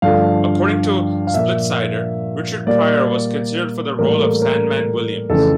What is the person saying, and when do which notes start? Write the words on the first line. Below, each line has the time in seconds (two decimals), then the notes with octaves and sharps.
According to Splitsider, Richard Pryor was considered for the role of Sandman Williams.
0.02 G2 D3 F3 A3 F5
1.27 F5
1.34 A#2 F3 A#3 E5
2.66 A#2 G3 A#3 D5
3.99 A2 E3 G3 A#3 A#4
4.20 A4
4.42 A#4
5.30 F2 C#3 E3 A3 A4